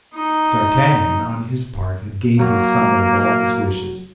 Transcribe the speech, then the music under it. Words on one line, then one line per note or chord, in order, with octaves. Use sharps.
D'Artagnan, on his part, had gained the summit of all his wishes.
D#4
F#3 A#3